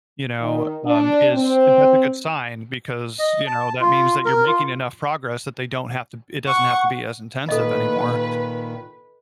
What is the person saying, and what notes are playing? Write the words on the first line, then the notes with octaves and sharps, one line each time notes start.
you know, um, is that's a good sign because, you know, that means that you're making enough progress that they don't have to it doesn't have to be as intensive anymore
D#3
D4
C4
D#5
A5
F4
A#4
F4
F#5 C#6
A#2 D#3 A4 B4 D#5